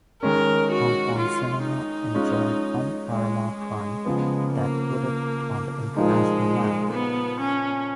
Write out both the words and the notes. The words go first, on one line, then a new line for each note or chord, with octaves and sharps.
Hong Kong's Cinema enjoyed one paramount run that put it on the international map.
D#3 G#3 C#4 A#4
F#4
F4
D#4
G#3 C#4 F4
G#3
G#3
C#3 F3 B3
A#3
A#2 F3 G#3 A#3 D#4
B3
C#4